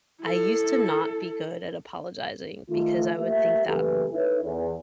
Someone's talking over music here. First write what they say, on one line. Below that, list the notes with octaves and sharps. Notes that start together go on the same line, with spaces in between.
I used to not be good at apologizing because I would think that
E4 A4
D#3 A3 F4
A3 A#3 G4 E5
F#1 E3 A3 G4 A4 B4
D#4 E4 A4 B4 C#5 E5
E2